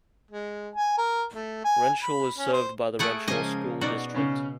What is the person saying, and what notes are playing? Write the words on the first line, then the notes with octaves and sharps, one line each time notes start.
Wrenshall is served by the Wrenshall School District.
G#3
G#5
A#4
A3
G#5
B5
C#4
C5
A3 G#4 F#5 G#5 B5 D#6 D7
C#3 F3 G#3 A#3 C#4 D#5 G#5
B2 D#4 F#4 D5 F#5
C#3 C#4